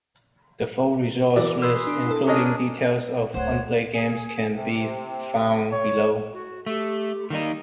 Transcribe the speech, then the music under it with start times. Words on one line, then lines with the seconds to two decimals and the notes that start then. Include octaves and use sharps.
The full results list including details of unplayed games can be found below.
1.36 E3 F#3 A#4 D5
1.62 G#4 B4 C6 E6
1.87 D4
2.07 E4 A4
2.27 C#4 D4 G#4 A#4 D#5
3.34 D1 D2 C5 C#5 F#5
3.94 G#4
4.54 C3
5.72 C#5
6.32 F#4
6.66 A3 G4
7.30 D#3 G3 A#3 D#4